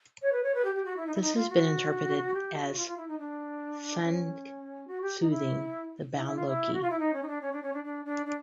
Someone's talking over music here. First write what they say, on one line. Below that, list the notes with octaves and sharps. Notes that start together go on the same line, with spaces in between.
This has been interpreted as Sigyn soothing the bound Loki.
C#5
B4
C#5
B4
G4
G4
F#4
E4
D#4
E4
D#4
F4
F#4
G4
F#4
F4
F4
E4
D#4
D4
C#4
F#4
G4
D#4
E4
E4
E4
F4
E4
F#4
F4
E4
D#4
C#4
D#4
D4
C#4
D4
C#4
D4
D4
D4
D4